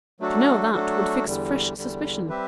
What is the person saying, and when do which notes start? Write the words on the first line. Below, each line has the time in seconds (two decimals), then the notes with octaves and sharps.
To know that would fix fresh suspicion.
0.20 F#3 A3 D4 F#4 A4
0.73 F#3 A3 D4 F#4 A4
1.25 E2 D3 G3
1.77 E2 D3 G3
2.29 G3 C4 G4 B4 E5